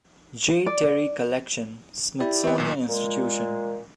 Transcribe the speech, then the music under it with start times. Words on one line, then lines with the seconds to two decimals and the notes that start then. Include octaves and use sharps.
J. Terry Collection, Smithsonian Institution.
0.66 D5
2.20 E4 G4 D5
2.44 B3 C4
2.58 B1 A#2
2.87 A#2 G#3